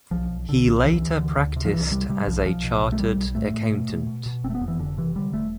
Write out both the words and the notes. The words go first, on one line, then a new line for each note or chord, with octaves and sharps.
He later practiced as a chartered accountant.
B1 F3
B1
B1 D3
B1
D2 E3
D2
D3
D2
C3
F3
C2 E3
C3 G3
C3 G3
B1 F3
B1 F3
B2
B1
A3
B1 G3
B1
A2 A3
A2
B2
B2
B2
B2
F1 C4
A3
B3
F2
E3
F1 D3
C3 E3
D3 G3
E1 A3